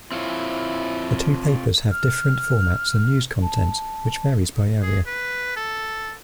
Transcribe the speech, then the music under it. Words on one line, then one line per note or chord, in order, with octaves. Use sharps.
The two papers have different formats and news content which varies by area.
C4 E4 F4 C#5
F6
A5
G#4
B4
A4